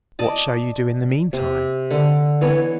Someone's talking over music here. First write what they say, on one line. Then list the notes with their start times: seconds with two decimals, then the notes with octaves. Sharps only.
'What shall you do in the meantime?'
0.19 D5 D#5 A5
1.33 C3
1.91 D3
2.41 E3 B3 C#5